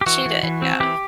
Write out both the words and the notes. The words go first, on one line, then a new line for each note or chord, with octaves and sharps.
She did, yeah.
G4
E3 F#4
E3
E3
C4
E3 G4